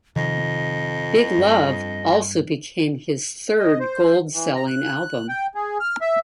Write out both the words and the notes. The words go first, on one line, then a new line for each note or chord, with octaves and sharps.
"Big Love" also became his third gold-selling album.
F2 C3 D#3 F3 D#5
G2
D#5
C5
E3
A#5
F#6
G5
G#4
F6
E5